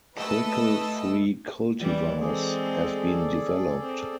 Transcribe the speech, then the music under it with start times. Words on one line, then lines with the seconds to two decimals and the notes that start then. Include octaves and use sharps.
Prickle-free cultivars have been developed.
0.17 A3 B4 D#5 A5 E6
1.80 E3 G3 D5
2.19 G#3 C4 G#4 A4 D5
3.81 C4